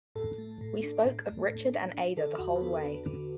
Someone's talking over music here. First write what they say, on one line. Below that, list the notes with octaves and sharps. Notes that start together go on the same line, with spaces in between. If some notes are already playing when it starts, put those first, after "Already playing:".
We spoke of Richard and Ada the whole way.
A2 A4
A3
A2
D4
A2
A3
A2
D4
D4
D3 A4
E2 F#4
B4
B3 A4
D4 B4
D3